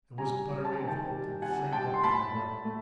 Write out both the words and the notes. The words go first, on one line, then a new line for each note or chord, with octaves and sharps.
It was but a ray of hope that flamed up in my heart.
G3 G#5 A#5
G3
A5
D#3 G#5
G5 A5
G3
C3 F#5 G#5
G3 G5 A5
C6
A2 A5 B5
A3
A3